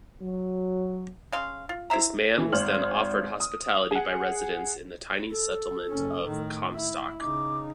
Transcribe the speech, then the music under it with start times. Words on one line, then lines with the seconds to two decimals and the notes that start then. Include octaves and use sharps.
This man was then offered hospitality by residents in the tiny settlement of Comstock.
0.20 F#3
1.32 C#3 F5 C6
1.69 F4
1.90 E4 C5 E5 A#5
2.38 E3
2.52 G#1 C5 F6 F#7
3.40 D#6
3.91 G#4 F#5
5.30 A4
5.89 F#1 C#4
6.25 A2 D#3
6.73 E4 E5
7.20 C#3 D#4 D6